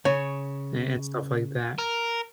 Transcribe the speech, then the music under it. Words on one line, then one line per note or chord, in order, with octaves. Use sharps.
a and stuff like that,
C#3 C#5
A#4